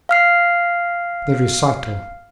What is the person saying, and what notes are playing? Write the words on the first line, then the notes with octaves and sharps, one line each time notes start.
The Recital.
F5 F6 C7